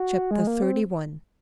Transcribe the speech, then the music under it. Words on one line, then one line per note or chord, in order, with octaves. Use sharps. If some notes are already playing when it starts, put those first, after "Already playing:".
Chapter XXXI.
Already playing: F#4
G#3
A#3
C4